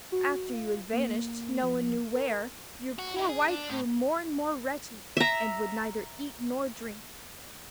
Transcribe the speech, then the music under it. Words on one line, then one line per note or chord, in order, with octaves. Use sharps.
After you had vanished, no one knew where, your poor wife grew more and more wretched, and would neither eat nor drink.
F#4
F4
A#3
F3
A#4
F#4
D#4 E4
G#4
D4
A2
E5 A#5